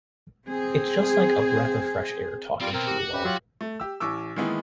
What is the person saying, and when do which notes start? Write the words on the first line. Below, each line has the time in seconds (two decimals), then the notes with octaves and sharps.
It's just like a breath of fresh air talking to you, Laura.
0.47 C4 G#4
2.61 G3 C4 F4 G5
2.74 B2 C4 A#4
2.87 F#4 G4
3.13 C#4 G4 B4
3.25 F#3 F4 G4
3.61 A3
3.80 G4 E6
4.00 A1 E3 C#6 D6 E6
4.36 D#3 E3 G#3 A#3 B3 E4